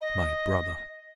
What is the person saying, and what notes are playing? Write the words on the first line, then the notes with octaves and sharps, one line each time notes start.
My brother!
D#5